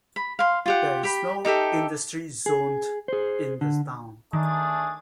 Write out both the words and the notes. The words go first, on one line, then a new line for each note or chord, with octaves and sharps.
There is no industry zoned in the town.
B5
F5 C6
F4 G4 F#5
G4 B5
D#4 G4 A4 E5
G#4
G#4 C5
D3
D#3 A3 D4 G#4